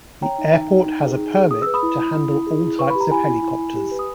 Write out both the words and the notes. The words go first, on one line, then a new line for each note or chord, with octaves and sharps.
The airport has a permit to handle all types of helicopters.
C#5 G5 A#5
D#4
D#4
D#4
D#4
G#4
D#4
G#4
G#4 D#6
B4 E6
B5 D#6
E4
E4
E4
E4
G#4
E4
B4 C#6
B5
G4
A#5
E4 G#5 B5
E4
E4
E4
G4
B4
D#6